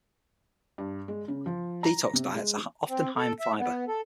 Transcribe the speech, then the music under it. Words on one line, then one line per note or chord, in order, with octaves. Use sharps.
Detox diets are often high in fiber.
G2
G#3
C#3
F3
A#5
C3
G#3
C4
A4
E5
B3
A4